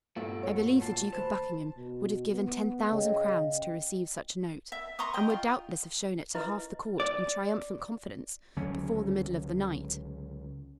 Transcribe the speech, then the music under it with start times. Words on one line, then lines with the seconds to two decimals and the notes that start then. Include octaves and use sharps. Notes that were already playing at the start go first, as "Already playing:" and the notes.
I believe the Duke of Buckingham would have given ten thousand crowns to receive such a note, and would doubtless have shown it to half the court in triumphant confidence before the middle of the night.
0.16 G2 A#2 A3 B3 E4
0.43 C#5
0.81 A#1 B2 A5 C7
1.12 D2 B4 C5 E7
1.77 B2
2.33 B3
2.90 C#3 D#5 F5 G5
4.72 E5
4.99 A#5 C6 C#6 D#6
5.14 D#5 G5
5.30 F4
6.35 E4 B4 D#5
7.00 D5
8.56 C#2 D3 F#3 C#4